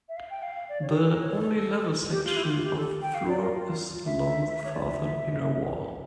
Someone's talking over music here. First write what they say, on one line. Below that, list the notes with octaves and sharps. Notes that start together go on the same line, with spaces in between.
The only level section of floor is along the southern inner wall.
E5
F5
G5
F5
F5
D5
C#5
G4
A4
A#4
C#5
A4
G4
F4
E4
G4
F4
G4
A4
G5
F5
D5
A#4
F4
F4
F4
E5
C#5
D5
E5